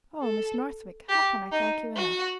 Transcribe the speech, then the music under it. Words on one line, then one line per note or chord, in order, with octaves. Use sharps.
Oh, Miss Northwick, how can I thank you enough?
A4
G4
D#4
F#4